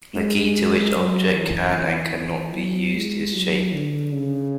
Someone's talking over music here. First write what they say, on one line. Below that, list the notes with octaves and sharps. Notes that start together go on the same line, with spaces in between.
The key to which objects can and can not be used is shape.
G#3
F#3
E3
E3
F#3
G#3
F#3
D3
C#3